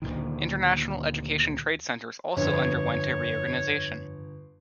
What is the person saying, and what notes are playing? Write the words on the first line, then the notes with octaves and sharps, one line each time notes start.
International education trade centers also underwent a reorganization.
D2 A#2 D#3
G1 F2 C#5